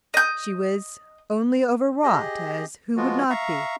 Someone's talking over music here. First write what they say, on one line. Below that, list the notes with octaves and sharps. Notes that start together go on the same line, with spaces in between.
She was only over-wrought, as who would not be?
D#5 G6
G4 G#4 D#5
F3 G#3 B3 F4 F#4
E5 F5 A#5 C#6